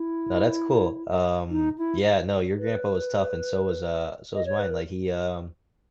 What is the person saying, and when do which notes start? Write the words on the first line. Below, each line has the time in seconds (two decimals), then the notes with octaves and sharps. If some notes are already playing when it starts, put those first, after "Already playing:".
No, that's cool, um, yeah no, your grandpa was tough and so was, uh so was mine, like, he, um
Already playing: E4
1.50 D#4
1.78 E4
2.58 B4
4.35 D#5
4.46 C#5
4.59 B4
4.70 A#4